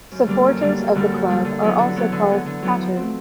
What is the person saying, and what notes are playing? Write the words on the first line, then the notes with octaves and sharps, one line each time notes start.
Supporters of the club are also called Hatters.
F#2
D3 G3 A#3
F#2
D3 G3 A#3
F#2
D3 G3 A#3
F#2
D3 G3 A#3
D3
F#3 B3 E4
D3
F#3 B3 E4
D3
F#3 B3 E4
D3
F#3 B3 E4
F3
A3 C4